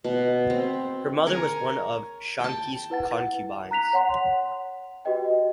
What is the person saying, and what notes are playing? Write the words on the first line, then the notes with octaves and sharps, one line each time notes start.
Her mother was one of Shanqi's concubines.
B2
C4
A#4 C#5 G#5 A#5
G5 A5
E4 B4 F#5 A6
A#5 F#6 B6 F7
C#5 F#5 C6
F#4 G4 B4 D#5 G5